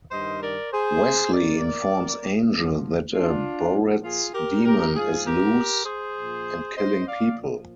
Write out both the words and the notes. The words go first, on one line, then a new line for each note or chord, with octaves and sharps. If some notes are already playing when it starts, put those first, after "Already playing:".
Wesley informs Angel that a Boretz demon is loose and killing people.
G2 D#3 C5 D#5
A#4 D5
G#4 C5
G#2 D#3 A#4 D5
G2 D3 F3
D4 F4
A#2 F3
F4 G#4
G4 A#4
G4 A#4
G#2 F3 F4 G#4
G4 A#4
G#4 C5
A#2 F3
C5 D#5
D5 F5
A#2 F3